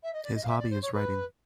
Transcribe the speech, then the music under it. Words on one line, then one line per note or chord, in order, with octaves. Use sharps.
His hobby is writing.
E5
D#5
D5
D#5
F5
E5
D5
C5
C#5
B4